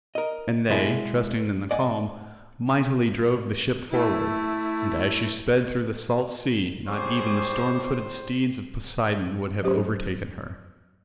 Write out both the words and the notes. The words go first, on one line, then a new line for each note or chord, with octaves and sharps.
And they, trusting in the calm, mightily drove the ship forward; and as she sped through the salt sea, not even the storm-footed steeds of Poseidon would have overtaken her.
A#4 D#5
B2 G#3 E4 A#4
D5 D#5 F#5 G#5
A3 E4
A2 G3 G#4 C5 C#6 D6
F#3 C#4 G4 C5